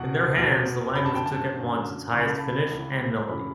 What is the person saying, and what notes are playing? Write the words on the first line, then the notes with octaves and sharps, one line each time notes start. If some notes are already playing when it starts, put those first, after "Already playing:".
In their hands the language took at once its highest finish and melody.
Already playing: E2 B2 F#5
E2 B2
F#2 D3 B5
A5
G5
A5
F#2 D3
C#2 C#3 E3 C#6
B5
A5
B5
C#2 C#3 E3
F#2 C#3 E3 B5